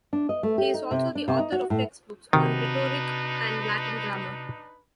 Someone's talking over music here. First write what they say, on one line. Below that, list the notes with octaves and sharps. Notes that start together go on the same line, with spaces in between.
He is also the author of textbooks on rhetoric and Latin grammar.
D4
D#5
A3
G4
D#4
C3
D4
C3
D#4
F#4
A2
C3 D#3 D4 D#4 F#4 B4